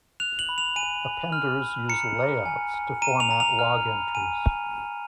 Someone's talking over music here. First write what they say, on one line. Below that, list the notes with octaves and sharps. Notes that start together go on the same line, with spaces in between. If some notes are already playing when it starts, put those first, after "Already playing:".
Appenders use Layouts to format log entries.
F#6 F7
F#7
B5
F7
G#5 D#7
G#5
F6
B5
A#5 C#7
A#5
G#5
G#5
A#5 D#7
F7
A#5
F7
F6
B5
G#5 D#7
G#5
A#5